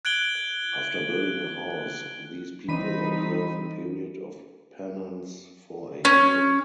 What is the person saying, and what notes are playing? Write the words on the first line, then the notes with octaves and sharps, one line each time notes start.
After building a house, these people observe a period of penance for a year.
F#6 G#6 D7 F#7 G7
E3 G3 C4 D#4 B5 D#7
C#4